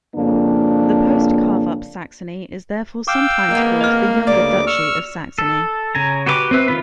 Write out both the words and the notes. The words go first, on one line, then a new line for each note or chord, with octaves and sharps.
The post carve-up Saxony is therefore sometimes called the "younger Duchy of Saxony".
F2 C#3 A#3 D4
F5 G5 D6 E6
G#3 A#3 B3
F2 D#5 F6
D2 C#3 D5 A#5 D6
C#6 E6 F6
A4
C#3 G#5 A#5
F#4 G4 B4 D#5 D6
C4 B4 E5
D#3 F4 B4 B5